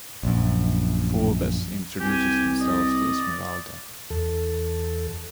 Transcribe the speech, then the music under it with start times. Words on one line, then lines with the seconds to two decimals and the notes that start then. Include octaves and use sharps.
Phoebus introduces himself to Esmeralda.
0.23 A#1 F#2
2.00 C2 G4 G#5
2.60 D5 D#5
4.10 E2 A4